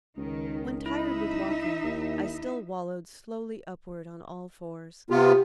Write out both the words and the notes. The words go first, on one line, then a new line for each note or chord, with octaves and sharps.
When tired with walking I still wallowed slowly upward on all fours.
C#2 D#3
D#4 E4 E5 B5
D#2
C3 B3 F4 G4